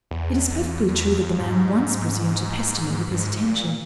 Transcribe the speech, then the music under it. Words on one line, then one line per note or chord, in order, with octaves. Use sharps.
It is perfectly true that the man once presumed to pester me with his attentions.
E2
E2
F2
G#2
G2
G#2
A#2